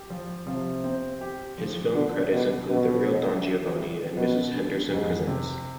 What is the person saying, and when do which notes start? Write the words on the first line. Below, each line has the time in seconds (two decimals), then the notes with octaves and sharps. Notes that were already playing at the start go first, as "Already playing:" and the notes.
His film credits include "The Real Don Giovanni" and "Mrs Henderson Presents".
Already playing: G4
0.10 F3
0.46 C3 F3
0.84 C4
1.21 G4
1.58 F3
1.94 D3 D4
2.31 B2 G3
2.69 B2 B3
3.06 D3
3.43 D4
3.79 G3
4.16 B2 B3
4.54 D3
4.90 F2 G#2
5.27 C3